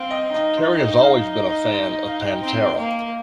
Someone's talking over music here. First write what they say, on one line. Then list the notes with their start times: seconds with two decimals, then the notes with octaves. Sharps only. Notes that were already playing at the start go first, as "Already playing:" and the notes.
Terry has always been a fan of Pantera.
Already playing: C4 F5 G5
0.11 D#5
0.34 D#4 D#5
0.57 C5
0.79 D#5
1.03 F5
1.27 D#5
1.50 D#5
1.73 C5
1.91 D#5
2.07 F5
2.25 G5
2.42 C4
2.77 A#3